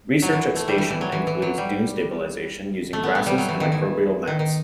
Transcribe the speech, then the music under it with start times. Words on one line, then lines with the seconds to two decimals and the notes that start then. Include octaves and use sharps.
Research at station includes dune stabilization using grasses and microbial mats.
0.22 F#3
0.33 E3
0.56 A3
0.68 G3
0.78 E3
0.90 E3
1.01 F#3
1.12 E3
1.27 E3
1.42 F#3
1.58 G3
2.93 A3
3.04 B3
3.15 B3
3.26 G3
3.38 F#3
3.48 E3
3.60 D#3
3.72 E3
4.27 D#3
4.39 D#3